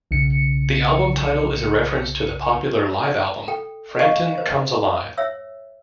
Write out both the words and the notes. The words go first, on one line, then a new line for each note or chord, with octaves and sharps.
The album title is a reference to the popular live album "Frampton Comes Alive".
B1 C#3 C#7
A4 G5
D5 D#5 F5 C#6
B4 C5
C#5 E5 E6